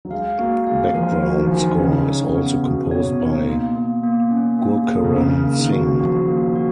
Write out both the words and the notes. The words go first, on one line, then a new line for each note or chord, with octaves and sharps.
Background score is also composed by Gurcharan Singh.
F#3
G#3 F5
A#3 F#4
G#3 F5
F3 A#4
F#4
D#3
F3 G#5
D#3
C#3 D#4
C#5
C#3
B3
B2 F#4
C#5
B2
D#4
A#3
A#3
A#3
C#4
A#3
G#4
B2
C#3 A#4
A#3
D#3
F#4
F3 F#4
A#3
F#4